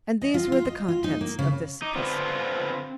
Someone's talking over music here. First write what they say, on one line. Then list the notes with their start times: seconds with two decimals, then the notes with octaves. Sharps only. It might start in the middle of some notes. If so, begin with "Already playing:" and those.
And these were the contents of this epistle.
0.22 D#5
0.34 F4
0.52 F4
0.65 D#5
0.88 F4
1.04 D#4
1.21 A#3
1.39 C#3
1.82 D#4 D6
1.95 D3 B3 C4 F4